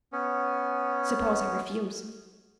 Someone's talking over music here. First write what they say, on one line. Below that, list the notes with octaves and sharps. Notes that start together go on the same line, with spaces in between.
"Suppose I refuse?"
B3 C#4